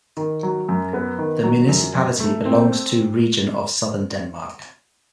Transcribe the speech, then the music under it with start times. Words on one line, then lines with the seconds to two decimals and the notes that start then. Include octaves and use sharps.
The municipality belongs to Region of Southern Denmark.
0.17 D#3
0.43 F#3
0.69 F#2
0.93 B3
1.19 D#3
1.44 F#3
1.69 F#2
1.95 F#2
2.20 A3
2.45 C4